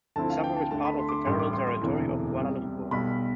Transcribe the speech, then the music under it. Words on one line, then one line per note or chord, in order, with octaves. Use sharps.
The suburb is part of the Federal Territory of Kuala Lumpur.
D2 D3 F3 C4 E4 A5
F5
G5
A5
D2 D3 A3 A5
B5
C6
D6
C6
A1 A2 G3 C6
D6
C6
C6
E1 D2 C3 E3
C2 C3 G3
B1 B2 G3 B5